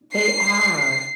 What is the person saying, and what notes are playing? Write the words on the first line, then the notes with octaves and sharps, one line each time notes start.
They are.
C7